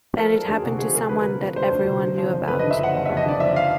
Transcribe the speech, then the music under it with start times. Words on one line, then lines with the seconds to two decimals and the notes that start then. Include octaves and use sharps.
Then it happened to someone that everyone knew about.
0.17 F3 A#4
0.32 A3 A4
0.48 D2 G#4
0.64 C3 F#4
0.79 F3 G#4
0.95 A3 A#4
1.09 D2 B4
1.26 C3
1.41 F3
1.55 A3 C5
1.71 D2
1.87 C3
2.02 D3
2.18 F3
2.33 F#1
2.48 F2 B4
2.59 D3 D#5
2.71 E5
2.79 F3 F#5
2.95 F#1
3.06 F2 E5
3.17 D#5
3.25 D3 D5
3.40 F3 E5
3.56 F5